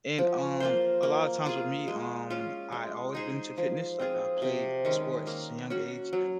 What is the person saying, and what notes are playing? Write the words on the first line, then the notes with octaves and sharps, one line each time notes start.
And, um, a lot of times with me, um, I always been into fitness. Like, I played sports since a young age,
F3
A#3 F4 C5
A#3
F4 G#4
G#3
C#4 F4
G#3
D#4 G#4 C5
F3
C4 F4 G#4
C3
D#3 G#3 C#4
A#3
C#4 F#4
F#3